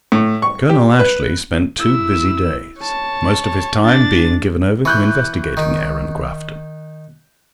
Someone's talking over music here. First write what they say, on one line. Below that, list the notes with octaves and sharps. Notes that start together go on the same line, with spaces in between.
Colonel Ashley spent two busy days, most of his time being given over to investigating Aaron Grafton.
A2
C#6
G4
B4
E4 E6
C#5 A5
D4 A6
E3 C#6 F#6 G6
D#3